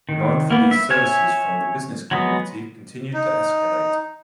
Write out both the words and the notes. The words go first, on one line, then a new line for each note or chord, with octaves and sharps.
Demand for these services from the business community continued to escalate.
D#3
A#3 B3
E5
C#5 E5 G#5
F#3 G#3 B3 D#6
D#4